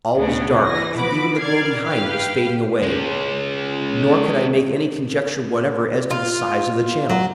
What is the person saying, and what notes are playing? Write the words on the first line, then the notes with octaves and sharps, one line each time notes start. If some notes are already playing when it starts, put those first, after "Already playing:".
All was dark, and even the glow behind was fading away; nor could I make any conjecture whatever as to the size of the channel.
D2 C#3 B3 C#4 D4
E3 B3 G#5 A#6
F3 F#4 B4 B5 D6
D5 D6 F6 G#6 C7
G4 B4 F5 G5 F6
G#3 C#4
F4
F#3